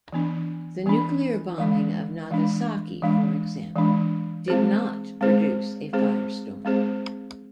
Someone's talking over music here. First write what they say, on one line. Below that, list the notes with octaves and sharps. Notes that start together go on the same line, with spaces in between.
The nuclear bombing of Nagasaki for example, did not produce a firestorm.
E3 B3 D4
E3 B3 D4
E3 G#3 D4
E3 G#3 D4
E3 G#3 D4
E3 G#3 D4
G#3 C4 G#4 C5
G#3 C4 G#4 C5
G#3 C4 G#4 C5
G#3 C4 G#4 C5